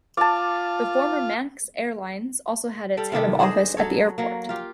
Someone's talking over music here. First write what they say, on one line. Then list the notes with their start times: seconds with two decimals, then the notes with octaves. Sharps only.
The former Manx Airlines also had its head office at the Airport.
0.17 F4 D5 A5
2.97 G3 A4 G5
3.12 C3 D#3 G3 A4
3.39 D4 G#4 C5 D#5
3.77 F#3 A4 C#5
4.18 F#3 A#3
4.49 F4 G4